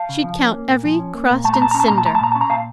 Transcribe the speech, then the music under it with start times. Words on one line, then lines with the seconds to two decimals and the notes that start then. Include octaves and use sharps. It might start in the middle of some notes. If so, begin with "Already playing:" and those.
She'd count every crust and cinder.
Already playing: F5 A5
0.09 C#3
0.24 F3
0.39 C#4
0.54 A#3
0.69 A#2
0.85 F3
0.99 C#4
1.14 A#3
1.30 A#2
1.44 A3 A5
1.54 A#5
1.60 A#2 A5
1.71 A#5
1.74 C#4
1.80 A5
1.88 A#2 A#5
1.98 A5
2.05 A3 A#5
2.15 A5
2.20 A#2 A#5
2.32 C#4 A5
2.41 A#5
2.50 A#2 F5 A5